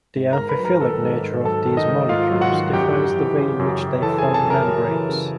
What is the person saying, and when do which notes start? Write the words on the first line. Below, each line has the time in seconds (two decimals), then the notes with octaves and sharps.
The amphiphilic nature of these molecules defines the way in which they form membranes.
0.16 G#2
0.33 A#4 A#5
0.39 G#2
0.49 B4 B5
0.60 F#3
0.65 A#4 A#5
0.80 D#3 A4 A5
1.03 G#2
1.23 G#2
1.45 F#3 A4 A5
1.66 D#3
1.77 D#4 D#5
1.87 G#2
2.09 G#2 F4 F5
2.31 F#3
2.41 F#4 F#5
2.52 D#3
2.73 F#2 G4 G5
2.95 F#2
3.17 E3
3.38 C#3
3.59 F#2
3.81 F#2
4.02 E3 A4 A5
4.18 G#4 G#5
4.24 C#3
4.34 A4 A5
4.45 F#2
4.50 A#4 A#5
4.66 F#2
4.88 E3
5.09 C#3